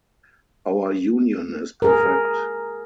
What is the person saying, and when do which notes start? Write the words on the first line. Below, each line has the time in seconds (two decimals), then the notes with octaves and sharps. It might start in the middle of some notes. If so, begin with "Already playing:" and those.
Our union is perfect.
1.82 G#4 A#4